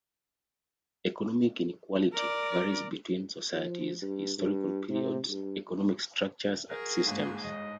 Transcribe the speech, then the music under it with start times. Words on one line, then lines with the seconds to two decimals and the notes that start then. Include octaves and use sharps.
Economic inequality varies between societies, historical periods, economic structures and systems.
2.13 A#4 D5
3.55 F3
4.02 G2
4.38 G2
4.90 C3
5.29 G2
6.69 F#4 G#4 A#4
7.06 G1 G#2 G#3 A#3
7.44 D#5